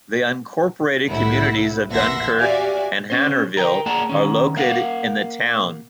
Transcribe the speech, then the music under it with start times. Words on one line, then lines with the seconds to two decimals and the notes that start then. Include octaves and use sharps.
The unincorporated communities of Dunkirk and Hanerville are located in the town.
1.07 C2 A2 D#3 A3 E4 F#5
1.91 A#1 E2 E5 F#5 C6 A#6
2.38 F#4 G4 D5 E5 F5 G#5
3.10 C#4 C5
3.57 A#4 G5
3.86 A#3 G#4 D5 F#5 A5 A#5
4.09 D#3 C#4
4.57 A#3 F5 F#5